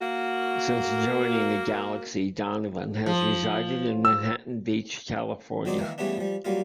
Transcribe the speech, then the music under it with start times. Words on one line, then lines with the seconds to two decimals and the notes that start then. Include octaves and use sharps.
Since joining the Galaxy Donovan has resided in Manhattan Beach, California.
0.01 A#3 F#4
3.06 F3
4.05 E6
5.65 C#2 F#3 C4 D#4 D5 C6
5.78 D#3 E3 A#3
5.98 C#3 E3 G3 A3 B3 D4
6.17 F3 G3
6.45 F#3 G3 A#3 F4